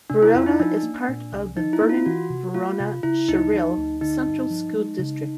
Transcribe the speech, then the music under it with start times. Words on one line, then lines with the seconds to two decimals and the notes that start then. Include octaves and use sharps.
Verona is part of the Vernon-Verona-Sherrill Central School District.
0.10 C3 D4
0.23 E4
0.34 F2 F4
0.46 D#4
0.59 F3 D4
0.83 A#3
1.08 A#2
1.32 C2
1.56 F3 D#4
1.73 E4
1.82 A#3
1.89 F4
2.06 E3 F#4
2.30 C3
2.54 A3 F4
2.80 C3
3.03 C#3 E4
3.28 D2 D#4
3.53 F3
3.77 D2
4.01 D3 D#4
4.26 G2
4.50 F3
4.74 G#3
4.99 C#3